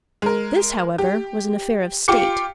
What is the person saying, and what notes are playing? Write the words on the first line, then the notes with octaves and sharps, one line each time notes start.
This, however, was an affair of State.
G#3 A#4
G4
F4 G4 G5 D6 C#7